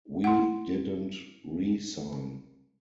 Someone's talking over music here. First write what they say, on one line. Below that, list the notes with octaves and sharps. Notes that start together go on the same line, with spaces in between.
We didn't re-sign.
E4 F#5